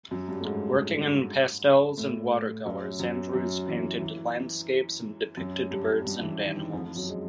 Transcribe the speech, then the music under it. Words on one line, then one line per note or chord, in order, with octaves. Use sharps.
Working in pastels and watercolours Andrews painted landscapes and depicted birds and animals.
F#2 F#3
G2 G3
A3
G#2 G#3
A2 A3
F#2 F#3
F#2 F#3
F#2 F#3
E3
E3
F#2 F#3
G2 G3
G2 G3
E3
D#3
E3
F2 F3
F#2 F#3
G#3